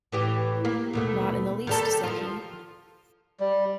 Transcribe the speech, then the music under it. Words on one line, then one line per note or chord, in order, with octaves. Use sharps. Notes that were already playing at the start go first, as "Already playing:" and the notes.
"Not in the least," said he.
A2 E3 G4
A#3
D#2 B2 A3
D#3 G3 A4
F3 F4
G3